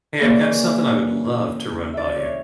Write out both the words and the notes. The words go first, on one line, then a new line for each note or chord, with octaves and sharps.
Hey, I've got something I would love to run by you.
C#3 E3 A#3 C#4 D5
D5 E5
C#5